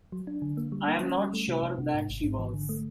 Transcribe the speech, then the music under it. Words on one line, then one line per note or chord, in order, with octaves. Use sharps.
I'm not sure that she was.
F#3
D4
D3
A#3
G3
A#3
C#4
G3
A3
C3
C3
C3
G#2
G#1
G#2
E3
D3
A3